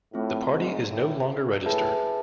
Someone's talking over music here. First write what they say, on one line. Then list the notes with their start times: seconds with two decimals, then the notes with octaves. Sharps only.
The party is no longer registered.
0.14 A2 A3 C4 F4
0.52 G#2
0.90 A2
1.66 A2 G#4 B4 E5 A5